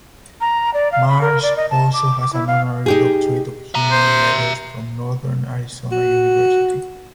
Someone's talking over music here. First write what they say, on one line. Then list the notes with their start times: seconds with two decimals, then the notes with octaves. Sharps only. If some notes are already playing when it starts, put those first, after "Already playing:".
Marsh also has an honorary Doctorate of Humane Letters from Northern Arizona University.
0.41 A#5
0.74 D5
0.92 F5
1.09 B5
1.21 A#4
1.43 D5
1.57 D#5
1.71 A5
1.93 D6
2.21 D6
2.33 E4
2.47 F5
2.86 D#4 G4 G#4
3.75 E5 A#5
3.91 C5
5.92 F#4